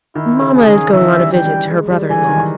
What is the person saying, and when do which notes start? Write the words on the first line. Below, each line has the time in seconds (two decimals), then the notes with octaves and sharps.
"Mamma is going on a visit to her brother-in-law."
0.15 D#3 E4
0.41 C#3
0.54 G#4
0.67 D#3
0.93 E3 E5
1.19 G3
1.32 G5
1.45 G3
1.71 G#3
1.90 G3
2.10 E3 G#5
2.29 D#3